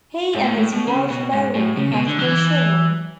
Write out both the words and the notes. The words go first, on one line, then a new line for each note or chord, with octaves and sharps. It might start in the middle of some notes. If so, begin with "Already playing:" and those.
He and his wife Mary have three children.
G#2
A2
A2
B2
C#3
B2
G#2
A2
C#3
B2
D3
F#3
E3